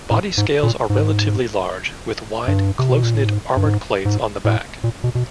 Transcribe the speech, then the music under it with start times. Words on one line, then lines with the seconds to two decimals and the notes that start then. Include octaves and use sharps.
Body scales are relatively large, with wide, close-knit armoured plates on the back.
0.11 A2
0.38 G#2
0.63 A#2
0.90 G#2
2.48 G2
2.79 C3
2.91 B2
3.03 A#2
3.15 A2
3.26 G#2
3.57 G2
3.66 G#2
4.05 G#2
4.45 A2
4.84 A#2
5.04 B2
5.15 B2